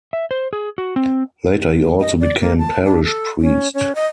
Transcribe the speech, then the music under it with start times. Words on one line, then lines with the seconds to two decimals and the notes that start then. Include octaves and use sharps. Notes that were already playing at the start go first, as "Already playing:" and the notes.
Later he also became parish priest.
0.13 E5
0.31 C5
0.53 G#4
0.78 F#4
0.96 C4
2.00 D#5
2.20 D5
2.41 A#3
2.58 A5
2.84 D4
3.04 A4
3.41 C#4
3.74 C#4
3.95 D#5